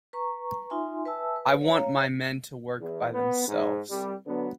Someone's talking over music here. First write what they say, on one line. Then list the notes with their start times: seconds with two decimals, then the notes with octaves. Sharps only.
I want my men to work by themselves.
0.13 B4 A#5 C#6
0.70 D#4 F4 E5 G#5 C6
1.06 B4 E5 G#5 A5 E6
1.36 B4
1.61 C#5 F5 A#5
2.81 E2
3.13 B3
3.48 G#2
3.89 C2 G3
4.26 D3 F#3 B3